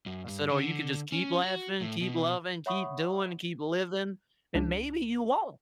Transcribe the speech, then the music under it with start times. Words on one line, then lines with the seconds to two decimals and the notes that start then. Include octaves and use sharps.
I said, "Or you could just keep laughing, keep loving, keep doing, and keep living, and maybe you won't."
0.06 F#2
0.28 G2
0.51 D3
1.12 C#4
1.44 F#4
1.81 A2
2.01 B2
2.66 C#5 E5 F#5 B5 C#6 D#6
4.55 C#2 D4